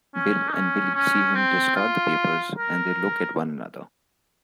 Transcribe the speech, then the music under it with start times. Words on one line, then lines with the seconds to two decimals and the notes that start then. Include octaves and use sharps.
Bill and Billie see him discard the papers, and they look at one another.
0.15 C#4
0.49 D#4
0.54 C#4
0.95 C#4
1.35 C4
1.76 F4
2.57 A#4